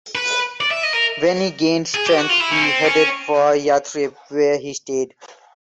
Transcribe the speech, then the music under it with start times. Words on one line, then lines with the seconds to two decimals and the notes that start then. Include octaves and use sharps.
When he gained strength, he headed for Yathrib, where he stayed.
0.15 B4
0.61 D5
0.71 E5
0.83 D#5
0.93 A#4
1.94 G#4
2.07 G4
2.18 F#4
2.29 F4
2.40 E4
2.51 C#4
2.62 C4
2.85 C#4